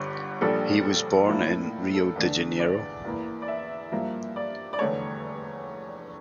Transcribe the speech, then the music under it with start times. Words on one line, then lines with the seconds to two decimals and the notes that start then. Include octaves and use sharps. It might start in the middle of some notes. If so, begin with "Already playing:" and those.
He was born in Rio de Janeiro.
Already playing: G1 G2 D3
0.41 A#1 A#2 G3 D4 A4
1.28 A2 F3 A#3 E4
1.94 A4
2.16 E2 D3 A3 D4
2.60 D5
3.04 E2 E3 A#3 E4
3.42 D5
3.48 E5
3.92 G2 F3 A#3
4.36 D5
4.73 D5
4.79 F1 E2 D3 A3 D4 C#5